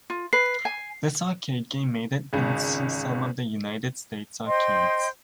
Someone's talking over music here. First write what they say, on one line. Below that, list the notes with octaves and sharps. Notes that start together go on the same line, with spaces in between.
This arcade game made it into some of the United States arcades.
F4
B4 C7
G#5
G#1 C#2
C5 D#5 G5 C6